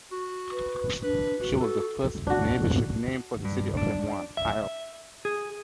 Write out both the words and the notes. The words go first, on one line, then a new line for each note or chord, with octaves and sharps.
She was the first Navy ship named for the city of Des Moines, Iowa.
F#4
B4
D4 B4
F#4 B4
A4
D4 F#4
G2
D4
E5
G#4